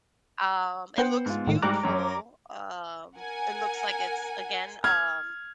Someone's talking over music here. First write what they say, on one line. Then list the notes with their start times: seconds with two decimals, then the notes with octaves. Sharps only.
Um, it looks beautiful. Um, it looks like it's again, um,
0.98 B3 C5 F#5 G5
1.26 G#2 F4
1.47 A2 D#3
1.62 G#2 G3 A#5 D6 F#6
1.83 F#2 C#4
3.18 A#4 F#5 G#5
4.84 F6 G#6